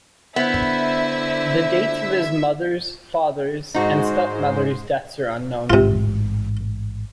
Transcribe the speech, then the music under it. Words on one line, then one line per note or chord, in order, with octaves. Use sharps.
The dates of his mother's, father's, and stepmother's deaths are unknown.
D3 B3 E4 C5 E5
G#2 G#3 D#4 F#4 C5
A1 G#2 C3 F4